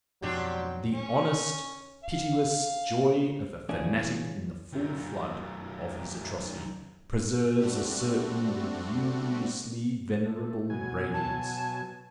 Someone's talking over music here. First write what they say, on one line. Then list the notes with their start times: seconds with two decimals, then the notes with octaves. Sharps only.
The honest, pitiless joy of a fanatic in the full flood of his atrocity preserves a certain lugubriously venerable radiance.
0.22 F2 G#2 B2 F#3 C4 D4 G4
0.93 C#4
2.03 F5
3.69 C2 A#2 E3 C#4 D4 G#4
4.73 F#2 D#3
7.60 G3 A3 C4 D4 F#4
10.26 A3
10.70 B2 F#3 G#5
11.14 A5